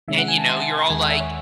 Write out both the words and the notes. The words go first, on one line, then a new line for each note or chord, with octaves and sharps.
and, you know, you're all, like
C3 D#3 G#3 C#4 E5
F#5
G#5
A5
C6
A5
C6
D#2 D#3 G#3 G#5
F#5
E5
C#5